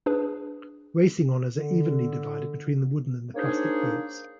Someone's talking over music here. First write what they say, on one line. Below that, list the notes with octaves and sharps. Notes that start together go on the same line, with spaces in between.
Racing honours are evenly divided between the wooden and the plastic boats.
D4 G#4 B4
D3
A#3 D4 D#4 G#4 C5 C#5